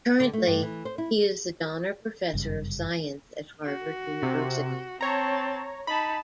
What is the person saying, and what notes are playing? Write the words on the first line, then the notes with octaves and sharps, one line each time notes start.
Currently, he is the Donner Professor of Science at Harvard University.
D3
A3
G2
E3
C5
E4
G1 F#2 C#3 G3
F#4
C3
C4 C#5 A5 A#5
D#4 A5 B5